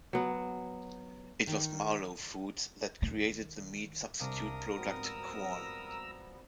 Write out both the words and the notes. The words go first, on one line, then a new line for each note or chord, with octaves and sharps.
It was Marlow Foods that created the meat substitute product Quorn.
F#3 B3
D#3
D#3
C2 C3 C4 D4 A#4 F5 D#6
G#2 F3 G3 B3 C4 F#4
A#5 E6